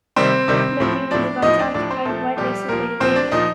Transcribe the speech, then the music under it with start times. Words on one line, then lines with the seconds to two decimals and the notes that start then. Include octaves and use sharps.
With Manute and the guards occupied, Dwight makes his way to Damien.
0.16 C3 D#3 G3 C4 C5
0.48 C3 D#3 G3
0.80 A2 F3
1.11 A2 F3 D4 D5
1.42 A2 F3 D#4 D#5
1.59 D4 D5
1.74 A2 F3 D4 D5
1.90 C4 C5
2.05 A#2 F3 A3 A4
2.37 A#2 F3 G3 G4
2.68 A#2 F3 A#3 A#4
3.00 A#2 F3 C4 C5
3.16 D4 D5
3.32 A#2 F3 D#4 D#5